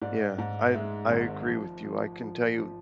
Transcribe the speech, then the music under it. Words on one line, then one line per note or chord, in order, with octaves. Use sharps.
Yeah, I I agree with you, I can tell you
G#2 D5
G#2
G#3 E5
G#1
F3
F3
F3
F3